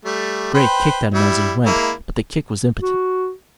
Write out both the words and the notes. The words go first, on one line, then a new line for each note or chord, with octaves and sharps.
Grey kicked at him as he went, but the kick was impotent.
G3 A3
B4 C5 G5
G3 E4
G#3 A#3 E4
F#4